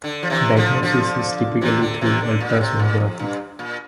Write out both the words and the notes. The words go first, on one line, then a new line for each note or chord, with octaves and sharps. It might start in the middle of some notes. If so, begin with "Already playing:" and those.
Diagnosis is typically through ultrasonography.
D3
F3
C3 E3
D3 F3
D3 F3
C3 E3
D3
C3 E3
D3
A#2
C3
A#2
F2
G2
A#2